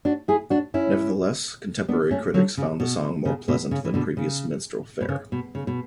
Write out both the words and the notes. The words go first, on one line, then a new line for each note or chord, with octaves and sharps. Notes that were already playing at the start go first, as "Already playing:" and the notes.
Nevertheless, contemporary critics found the song more pleasant than previous minstrel fare.
D4 F#4
E4 G#4
D4 F#4
C#4 E4
B3 D4
A3 C#4
D3 F#3
C#3
B2
C#3
B2
C#3
E3
B2 D3
C#3
B2
C#3
B2
C#3
B2